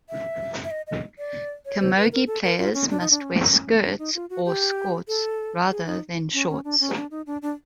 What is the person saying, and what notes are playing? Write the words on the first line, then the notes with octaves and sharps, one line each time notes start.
Camogie players must wear skirts or skorts rather than shorts.
E5
E5
D#5
D#5
D5
C#5
C5
B4
A#4
A4
A#4
F4
C#4
D4
D#4
D4
C#4
D4
D#4
F4
F#4
G4
A4
G#4
D#4
C#4
C#4
D4
C#4
D4
D#4
D4
D4